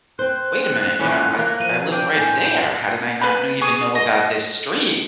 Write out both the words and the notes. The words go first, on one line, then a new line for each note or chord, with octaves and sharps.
"Wait a minute, you know, I I live right there, how did I not know even know about this street?"
C4 C5 F#6
E2 A2 C#4 F4 C#5 D#5
A#3
F3 D#7
C4 D4 G6
A2 B3 G#5
B4 B5
G#4 C#6 D#6
D#5